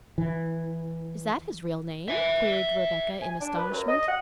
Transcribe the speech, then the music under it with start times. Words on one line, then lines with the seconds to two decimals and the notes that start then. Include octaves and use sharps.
"Is that his real name?" queried Rebecca in astonishment.
0.18 E3
2.08 E5 G#5
3.22 G#5
3.39 D4
3.57 B4
3.71 F#2
3.88 D#5
4.08 F#5